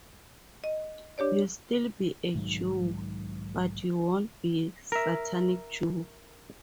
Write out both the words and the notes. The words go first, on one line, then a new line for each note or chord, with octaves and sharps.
You'll still be a Jew, but you won't be a satanic Jew!
D#5
D4 G4 C#5 D5
B1 G#2 D#3 F#3
A#4 E5